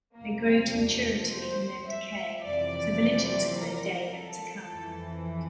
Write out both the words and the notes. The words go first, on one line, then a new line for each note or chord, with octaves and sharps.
They grow to maturity and then decay; so religions have their day and succumb.
F2 C3 F3 A#3
C4
D4
C5
E5
F2 C3 E3 D5
A#4
A4
F2 E3